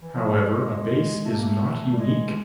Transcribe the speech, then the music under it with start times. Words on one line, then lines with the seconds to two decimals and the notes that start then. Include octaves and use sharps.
However, a base is not unique.
0.01 E3
0.13 F3
0.26 F#3
0.38 G3
0.50 G#3
1.24 A3
1.34 A#3
1.42 A3
1.92 G3
1.98 G#3